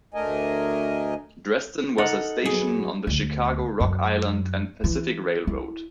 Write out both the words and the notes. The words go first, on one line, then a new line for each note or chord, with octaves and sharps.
Dresden was a station on the Chicago, Rock Island and Pacific Railroad.
D2 A3 D4 A#4 D#5 G#5
D#4 A4 A#4 D#5 F#5
F#3 B3 G#4
D2
F#2
E3
E4